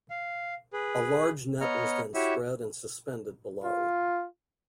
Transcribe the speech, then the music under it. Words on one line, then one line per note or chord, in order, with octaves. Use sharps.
A large net was then spread and suspended below.
F5
G#4 B4
B3 C#5 D#5 A#5 F6
E4 F#4 G4 C#5 E5
F4